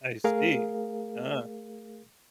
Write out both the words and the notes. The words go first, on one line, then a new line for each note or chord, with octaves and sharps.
I see. Uh.
A3 G#4 A#4 F5